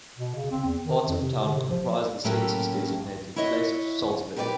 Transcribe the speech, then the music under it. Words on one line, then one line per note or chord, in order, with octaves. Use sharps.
Parts of town comprise the census-designated place of Salisbury.
B2
C#3
C4
E2
D#3
F2
C3
D3
C3
F3
A2 F#3 A3 A#3 C#4 G4
E4 F#4 C#5 D#5 E5
A#2 G4 B4 C#5 D5